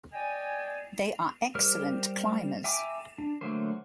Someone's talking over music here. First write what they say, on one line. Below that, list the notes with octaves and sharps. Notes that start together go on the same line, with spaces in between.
They are excellent climbers.
D5 D#5 G5 G#5
G3 G4 A#4 C5 F6
E5 G5 G#5 A#5 D6
D4
D3 F#3 A3 A#3 C5